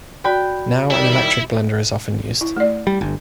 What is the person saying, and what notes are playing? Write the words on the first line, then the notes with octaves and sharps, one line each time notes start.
Now an electric blender is often used.
F#4 D5 G5 B5
D#3 G3 E4 E5
E4
A3 D5
G3
G1